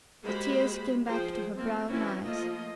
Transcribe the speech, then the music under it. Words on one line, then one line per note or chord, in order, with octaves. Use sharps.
The tears came back to her brown eyes.
G#3 A#3 F#4 G4 C5 B5
F3 G#4 C5 G5
A#3 C4
E3 C4 C#4 E4 F#4
F3 A3 A#3 F4 D#5